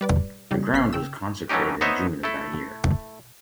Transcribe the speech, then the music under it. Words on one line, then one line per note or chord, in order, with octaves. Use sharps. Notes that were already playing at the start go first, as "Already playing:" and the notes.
The ground was consecrated in June of that year.
G3 B4 D5
C#3 G3 D#4
G1 B3 B6 C7
C#3 G5 E6
E3 F#3 A3 C#4 D#4 G4
B3 D#4 C5 C#5 D#5 E5
A3 E4 A4